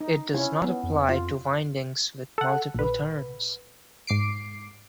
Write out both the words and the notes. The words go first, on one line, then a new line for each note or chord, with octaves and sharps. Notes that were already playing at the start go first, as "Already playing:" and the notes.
It does not apply to windings with multiple turns.
D#4
C#4 E4 C#5
B3
F2
F4
A4 F#5
A#1 B4
G#2 D6 C7 D7